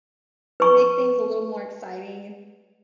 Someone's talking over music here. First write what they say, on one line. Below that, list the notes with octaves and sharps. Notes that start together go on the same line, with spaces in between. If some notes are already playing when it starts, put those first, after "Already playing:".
make things a little more exciting and
B4 C#6